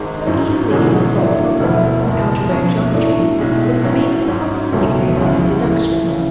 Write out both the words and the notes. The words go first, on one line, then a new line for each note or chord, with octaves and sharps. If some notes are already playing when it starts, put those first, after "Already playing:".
So easily did he solve problems in algebra and geometry, that his mates promptly nicknamed him "Deductions."
Already playing: G#1 G#2 G#3
A1 G#2 F#3 C#4
E1 E2 D3 G#3 C#4
A2 F#3 A3 D4
E1 D2 D3 A3 E4
F#1 E2 B2
B1 B2 F#3 C#4
A2 F#3 A3 D4
B1 A2 G#3
A1 A2 F#3 C#4
G#2 F#3 C#4
C#2 B2 F#3 A3
D2 C#3 E3 G#3 C#4
A2 E3 A3
C#3 E3